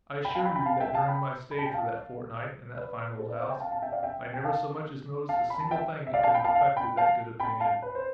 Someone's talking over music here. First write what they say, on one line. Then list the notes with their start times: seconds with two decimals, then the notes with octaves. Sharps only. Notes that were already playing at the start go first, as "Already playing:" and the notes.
I assure you that during my stay for that fortnight in that fine old house, I never so much as noticed a single thing that could have affected that good opinion.
0.25 G5 B5
0.35 F5 A5
0.45 G5 B5
0.56 G5 B5
0.66 F5 A5
0.80 E5 G5
0.94 F5 A5
1.08 G5 B5
1.51 B5
1.59 A5
1.66 G5
1.73 F5 A5
2.76 B4 D5
3.19 A4 C5
3.29 B4 D5
3.40 C5 E5
3.50 E5 G5
3.60 F5 A5
3.71 F5 A5
3.82 E5 G5
3.92 D5 F5
4.03 E5 G5
4.34 G5
4.45 F5 A5
5.29 F5 A5
5.50 B5
5.60 A5
5.71 E5 G5
6.07 E5
6.14 D5 F5
6.24 F5 A5
6.35 G5 B5
6.44 F5 A5
6.55 F5 A5
6.77 G5 B5
6.97 F5 A5
7.40 G5 B5
7.60 F5 A5
7.82 B4
7.95 C5